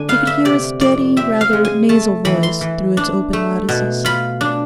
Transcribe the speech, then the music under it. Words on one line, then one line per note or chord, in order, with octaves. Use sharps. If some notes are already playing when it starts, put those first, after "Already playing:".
He could hear a steady, rather nasal voice through its open lattices.
Already playing: D3 D4 G#5
B3 F5
E5
C3 D5
F2 D5
C4 E5
F5
G#3
G#5
A3 A5
E3 B5
C6
E3
D4
A3
B2
F4 B5
D4